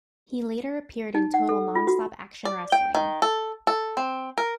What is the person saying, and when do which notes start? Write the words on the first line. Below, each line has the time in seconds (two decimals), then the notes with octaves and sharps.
He later appeared in Total Nonstop Action Wrestling.
1.15 D#4
1.34 F#5
1.49 A4
1.75 F4
1.87 F#4
2.45 D5
2.72 G5
2.95 D#3
3.22 A4
3.67 A4
3.97 C4
4.38 A#4